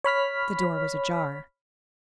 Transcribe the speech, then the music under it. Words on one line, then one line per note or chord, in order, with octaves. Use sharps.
The door was ajar.
C#5 B5 F6 B6